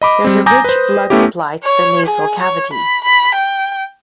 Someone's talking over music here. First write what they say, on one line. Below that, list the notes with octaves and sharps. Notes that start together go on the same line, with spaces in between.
There is a rich blood supply to the nasal cavity.
D#5 B5 D6
G3 C4
G#5 A#5 D6 D#6 G6 A#6
B4 C5
A3 B3 C#4 E4 G4
C#5
G#4
C#5
B5
B5
G5